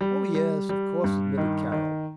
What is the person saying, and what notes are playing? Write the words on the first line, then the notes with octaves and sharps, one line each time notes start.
"Oh, yes, of course!" admitted Carroll.
G3
G3
G3
G2
D#3
D#3